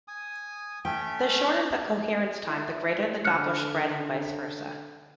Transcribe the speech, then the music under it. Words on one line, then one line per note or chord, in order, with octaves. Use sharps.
The shorter the coherence time, the greater the Doppler spread and vice versa.
G#5 D#6
A3 C#4 E5 G5
E4
D3 F6 F#6 C#7